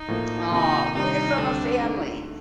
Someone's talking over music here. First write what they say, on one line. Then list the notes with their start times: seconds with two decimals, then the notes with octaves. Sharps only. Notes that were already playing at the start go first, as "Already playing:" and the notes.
Aw, get it from a family.
Already playing: D#4
0.08 A2 F3 A#3
0.51 C3 D#3 A#3 D#4 F4
0.95 C3 D#3 G3 D4 D#4
1.38 D2 D3 G3 C4 D4
1.81 D3 A3 D#4